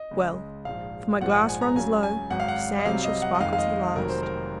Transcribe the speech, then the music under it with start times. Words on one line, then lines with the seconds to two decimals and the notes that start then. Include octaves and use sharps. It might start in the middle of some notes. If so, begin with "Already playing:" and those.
Well! if my glass runs low, the sands shall sparkle to the last.
Already playing: D#5
0.11 C#2 C#3 G#3
0.65 A#1 G#2 F3 F5
1.20 A#1 G#2 F3 G#3 F#5
1.35 F#5
1.49 G#5
1.61 A#5
1.75 C#2 C#3 F#3 G#5
2.03 G#5
2.30 G#1 G#2 F#3 F#5
2.40 F5
2.48 F#5
2.79 D#5
2.85 C2 C3 F#3 F5
3.04 D#5
3.22 F#5
3.35 D#5
3.40 F2 D#3 G#3 F5
3.53 F5
3.58 D#5
3.95 F1 F2 D#3 F#3 A#4
4.09 C5
4.23 A#4